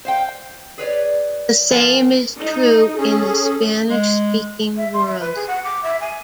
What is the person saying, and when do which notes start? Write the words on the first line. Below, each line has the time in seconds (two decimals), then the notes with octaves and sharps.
The same is true in the Spanish-speaking world.
0.05 C5 F5 G5
0.78 G#4 B4 C#5 D5
1.71 F3 A#4 F5 G#5
2.37 D#4
2.98 C#4 G#4 A4
3.90 G#3
4.76 E5
4.93 C6
5.07 E5
5.20 B4
5.36 G#4
5.47 F#5
5.64 D6
5.83 E5
6.00 G#5